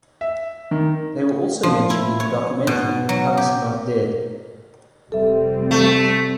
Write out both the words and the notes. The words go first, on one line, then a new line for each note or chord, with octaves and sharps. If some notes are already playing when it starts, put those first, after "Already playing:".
They were also mentioned in the documentary "Punk's Not Dead".
E5
D#3
F3
E4
C#5
B2
F#3
G4
F1 G3 C4 A4 E5
A3